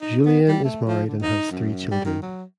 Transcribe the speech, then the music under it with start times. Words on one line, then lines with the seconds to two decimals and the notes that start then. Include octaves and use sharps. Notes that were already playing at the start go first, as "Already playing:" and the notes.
Julien is married and has three children.
0.01 D#4
0.25 B3
0.48 G3
0.64 A3
0.87 F3
1.07 D3
1.22 D#4
1.51 F#2
1.91 G3
2.06 D#3
2.22 F#3